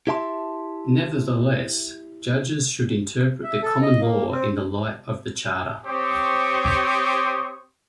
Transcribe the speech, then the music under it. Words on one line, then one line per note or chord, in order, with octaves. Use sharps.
Nevertheless, judges should interpret the common law in the light of the Charter.
E4 G4 E5 A5 C6
E5
A4
D#5
A#3
C4
C4 G4 C5 C#5 C#6 D#6